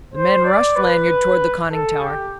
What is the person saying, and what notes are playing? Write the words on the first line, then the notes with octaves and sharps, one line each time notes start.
The men rushed Lanyard toward the conning tower.
C5
D5
B4
A4
G4